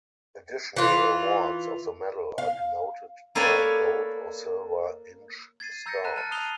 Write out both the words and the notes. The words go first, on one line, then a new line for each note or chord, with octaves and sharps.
Additional awards of the medal are denoted by gold or silver inch stars.
E3 F4
F5
A#3 A4 B4 C#5 D5 G#5
G#6 A6 C7 D#7
A#5 E6 G6 A6 A#6 C#7
A5 A#5 F#6 B6 D#7
A5 A#5 F6 A6 C#7
D#6 F#6 C7 D#7 F7 G7